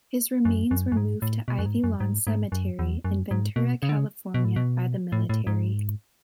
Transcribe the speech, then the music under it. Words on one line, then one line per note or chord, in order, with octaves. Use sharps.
His remains were moved to Ivy Lawn Cemetery in Ventura, California by the military.
F#2
F#2
F#2
G#2
A2
B2
F#2
G#2
F#2
G#2
G#2
F#2
E2
F#2
G#2
B2
C#3
D3
C#3
B2
A2
B2
A2
A2
G#2